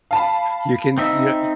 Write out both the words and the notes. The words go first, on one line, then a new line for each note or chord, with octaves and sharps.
you can, you know y
F5 A5 B5
C4 D#4 E5